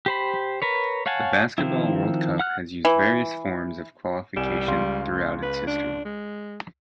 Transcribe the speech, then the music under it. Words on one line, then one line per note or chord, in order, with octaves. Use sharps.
The Basketball World Cup has used various forms of qualification throughout its history.
G4 C5 B5
A#4 B4 C#5
C#5 F5 F#5 G#5 A5
D#3 F3 B3 C4 E4
F#5 F6 F#6
E3
C2 G3 G#5 E7
C#2 F5 C6
B4
D4
G#3